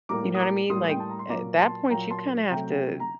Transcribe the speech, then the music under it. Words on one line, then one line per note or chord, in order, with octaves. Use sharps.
You know what I mean? Like, uh, that point, you kinda have to,
A2 G3 A#3 A#5 D6
D#6
A#5 D6
A2 G3 A#3 C6 D#6
G5
A5
A#5
C6
A#2 F#3 A#3 A#5 D6
A5 C6
A#2 F#3 A#3 G5 A#5
A5 C6
C3 F#3 A3 G5 A#5
A#5